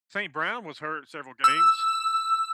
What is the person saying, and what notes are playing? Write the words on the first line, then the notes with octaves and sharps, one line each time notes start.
St. Brown was hurt in several games.
E6